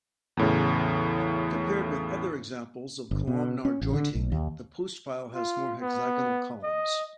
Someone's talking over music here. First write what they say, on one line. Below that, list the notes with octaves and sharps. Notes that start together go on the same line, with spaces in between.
Compared with other examples of columnar jointing, the Postpile has more hexagonal columns.
E2 A2 C#3
G1
B2
C#4
A1
D3
B1
D#2
F4
B3
D#5